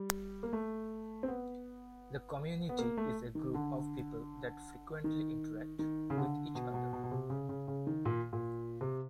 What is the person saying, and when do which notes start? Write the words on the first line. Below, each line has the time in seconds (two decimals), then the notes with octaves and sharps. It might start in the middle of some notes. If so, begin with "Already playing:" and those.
The community is a group of people that frequently interact with each other.
Already playing: G3
0.43 A#3
0.53 A3
1.23 C4
1.28 B3
2.69 B3
2.79 A#3
2.97 A3
3.35 D#3
3.54 D3
5.04 D#3
5.79 D#3
6.10 C#3
6.17 D3
6.55 B2
6.74 B2
6.93 B2
7.04 B2
7.11 C3
7.30 C#3
7.49 C#3
7.68 C#3
7.87 D#3
8.05 A#2
8.33 A#2
8.81 C3